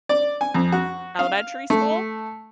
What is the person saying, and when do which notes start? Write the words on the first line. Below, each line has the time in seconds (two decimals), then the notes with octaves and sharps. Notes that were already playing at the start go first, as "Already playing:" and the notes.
elementary school,
0.09 D5
0.41 G#5
0.54 F2
0.72 F#4
1.19 F5
1.70 A3